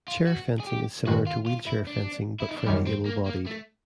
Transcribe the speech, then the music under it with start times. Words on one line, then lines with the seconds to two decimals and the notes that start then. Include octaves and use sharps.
Chair fencing is similar to wheelchair fencing, but for the able bodied.
0.08 F4
0.27 F#4
0.60 G#4
0.67 G4
1.07 G2 D#3 G#3 F#4
1.27 F4
1.46 F4
1.66 E4
1.87 D4
2.40 E4
2.49 D#4
2.57 D4
2.66 F#2 D#3 G3 C#4
2.87 C4
3.05 A#3
3.26 A#3
3.46 A3